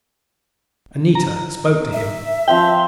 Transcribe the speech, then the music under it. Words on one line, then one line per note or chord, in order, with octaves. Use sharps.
Anita spoke to him.
A#5
E5
F3 C4 F5 G5